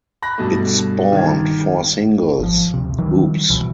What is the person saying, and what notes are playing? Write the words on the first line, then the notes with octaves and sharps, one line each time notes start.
It spawned four singles-Oops!...
B5 F#6 A#6
G2 B2 A3
D#3 G#6
G#1 F3
D2 C3
D#3 E3 F#3 G3
C#2 B2 E3